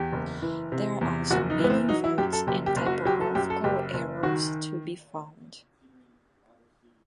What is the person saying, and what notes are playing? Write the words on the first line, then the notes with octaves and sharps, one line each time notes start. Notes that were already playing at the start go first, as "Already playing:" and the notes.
There are also many inverts and typographical errors to be found.
Already playing: E2 G4
F#1
E3
C3
E2
F#1 F#4
D#4
E3
B3
C4
F#3 D#4
E4
F#2 G4
A4
F#1 G4
G4
F#1
F#4
F#3 G4
A4
F#2 G4
A4
F#1 G4
F#1
D#3 F#4